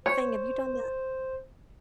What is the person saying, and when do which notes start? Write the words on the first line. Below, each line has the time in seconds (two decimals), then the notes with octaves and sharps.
thing. Have you done that?
0.06 C5 C#5